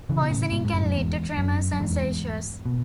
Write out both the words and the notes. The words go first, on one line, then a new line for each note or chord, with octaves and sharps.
Poisoning can lead to tremors and seizures.
C#3 E3
B2
A2 C#3
G#2 B2
G#2
F#2 A2
F#2
E2 G#2
F#2
F#2
E2 G#2
B2